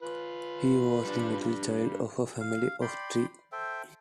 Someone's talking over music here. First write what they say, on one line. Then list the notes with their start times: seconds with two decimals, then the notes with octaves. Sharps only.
He was the middle child of a family of three.
0.02 F4 B4
1.05 G3 D4
2.40 F5
2.81 D5 G5 B5 C6
3.52 A4 C5 E5 G5